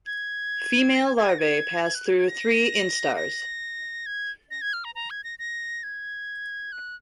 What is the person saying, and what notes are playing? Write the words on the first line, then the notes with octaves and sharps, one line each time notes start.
Female larvae pass through three instars.
G#6
A#6
G#6
G#6
A#6
G#6
G#6
F#6
G#6
G#6
A#6
A#6
G#6
A#6
G#6
F6
A#5
A#5
G#6
A#6
A#6
G#6
F#6